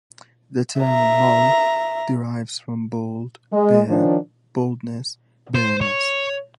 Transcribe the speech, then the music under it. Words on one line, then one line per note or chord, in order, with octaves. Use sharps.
The term "mull" derives from "bald, bare, baldness, bareness".
E5 A#5
G#3
D#3 F3 C#4 D4
C5
C#5